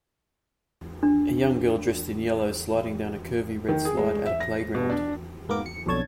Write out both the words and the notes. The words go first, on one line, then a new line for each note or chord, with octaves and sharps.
A young girl dressed in yellow sliding down a curvy, red slide at a playground.
D4
D#3
G#4
G#3
E5
A#6
B2
D4
G#2 A#3 B3 A#4 D6
C#7
B1 F2 D3 C#5 A5 G#6